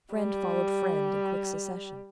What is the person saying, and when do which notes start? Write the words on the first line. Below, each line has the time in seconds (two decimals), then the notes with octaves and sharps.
Friend followed friend in quick succession.
0.14 G3